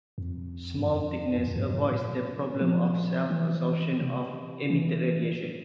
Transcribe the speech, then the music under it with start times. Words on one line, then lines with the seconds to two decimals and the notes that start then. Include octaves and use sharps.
Small thickness avoids the problem of self-absorption of emitted radiation.
0.18 F2
0.79 G2
0.87 F2
1.38 E2
1.48 F2
1.56 G2
1.74 A2
1.91 A#2
2.60 F3
3.30 E3
4.01 C3
4.70 E3